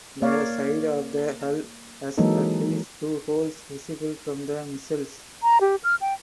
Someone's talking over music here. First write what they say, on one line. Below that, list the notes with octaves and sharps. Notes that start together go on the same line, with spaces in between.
The side of the hull has at least two holes visible from the missiles.
A#3 C#5 D5 F5
E3 F#3 G#3 A#3 D#4 A4
A#5
G4
F6
G5